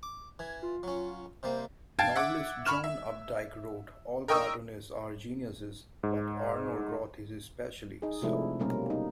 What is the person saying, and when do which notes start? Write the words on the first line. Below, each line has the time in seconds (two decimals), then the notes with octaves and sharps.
Novelist John Updike wrote, All cartoonists are geniuses, but Arnold Roth is especially so.
0.03 D6
0.39 E3 G#6
0.63 F4
0.83 F#3 C#4
1.43 C3 G3 A#3 C5
1.99 F5 G5 A5 G#6 A6 D7
2.15 E5 F#5 D6
2.65 B5 C#6 F6 E7
2.84 E5
4.28 A#4 D#5 G5 C#6 D#6 E6
6.03 G#2
8.02 D#4 G#4
8.22 C3 F3 G#3 A3 D4 E4
8.60 B2 G3 A#3 C#4 A#4
8.90 D#4